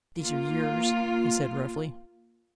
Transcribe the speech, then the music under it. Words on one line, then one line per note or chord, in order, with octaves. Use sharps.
"These are yours?" he said roughly.
A#3 F4